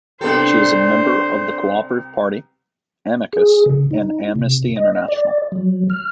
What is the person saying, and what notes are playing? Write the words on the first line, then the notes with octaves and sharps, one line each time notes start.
She is a member of the Co-operative Party, Amicus and Amnesty International.
C2 B3 D4 G4 A4 C5
G#4
C#3
D#4
C3
D#5
D5
F#3
F6